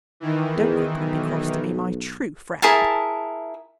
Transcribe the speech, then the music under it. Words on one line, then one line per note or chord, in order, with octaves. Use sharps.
Don't grumble and be cross to me, my true friend.
D#3 E3
E2
B1
E4 G#4 A#4 A5